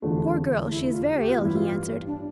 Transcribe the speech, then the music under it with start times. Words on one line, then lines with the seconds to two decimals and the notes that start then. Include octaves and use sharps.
"Poor girl, she is very ill," he answered.
0.02 F1 E2 D3 F3 A3 D4
0.66 D4
0.70 E4
0.89 E4
0.93 F4
1.16 G4
1.29 F4
1.38 A1 G2 E3 G3 B3 E4
1.56 F4
2.07 D4